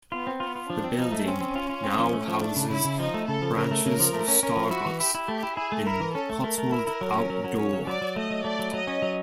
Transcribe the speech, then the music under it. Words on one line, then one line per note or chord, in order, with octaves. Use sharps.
The building now houses branches of Starbucks and Cotswold Outdoor.
B3 F4
C4
B3 F4
F4
F3 D4
C4
F3 D#4
A3
C4 C#4
C4
F4
F4
C4
F3
A3
F3
A3 D4
C#3
C#3 E4
C#3
F3 D#4
A3
C#3 A4
F3
C#3 A#4
A3
C#3 A#4
F3
A3
C#4
C#4
F3
E4 F#4
E3
E4 G4
E4
A3 G4
E4
E4 G#4
A3
E4 A#4
E3
C#4 A4
A3
A3 A#4
A3
E4
E4
F#3
C#4
F#3
F#3
C#4 C#5
F#3
F#3 D5
F#3
A3 D#5
F#3
A3 D5
F#3
F#3 D#5
C#4
F#3